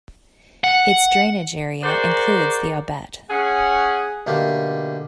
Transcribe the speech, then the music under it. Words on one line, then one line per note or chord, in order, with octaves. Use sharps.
Its drainage area includes the Aubette.
F#5
F#4 G#4 A#4 C5 D5
C#4 G#4 F#5
B1 D3 A3 A#3 G4